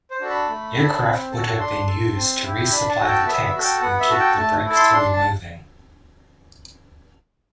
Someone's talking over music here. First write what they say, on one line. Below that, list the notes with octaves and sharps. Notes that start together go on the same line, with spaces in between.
Aircraft would have been used to resupply the tanks and keep the breakthrough moving.
C5
D4 F#4 A4
B5
A3
D4 A4
C4
F#4 A4
D4 C6
A4
C4
E4 G4
D4 B5
A5
F#4 A4
G5
B3 E5
E5
F#4 A4
G5
B3 F#5
E5
F#4 A4
G5
A3 A5
E4 A4
C6
D4 C6
A5